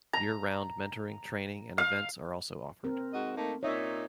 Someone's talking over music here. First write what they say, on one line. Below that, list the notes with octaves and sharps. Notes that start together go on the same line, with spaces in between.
Year-round mentoring, training and events are also offered.
A#5
F5
C4 A#4
G#2 F#4 D#5
A3 A#3 D#4
A#2 D#4 C#5 E5